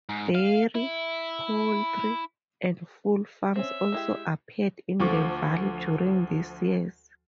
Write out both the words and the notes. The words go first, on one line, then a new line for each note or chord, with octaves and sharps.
Dairy, poultry and fur farms also appeared in the Valley during these years.
G#2
F5
E4
C4 C#4 E5
G#3 E4 G4
D2 F3 A4 C#6 D6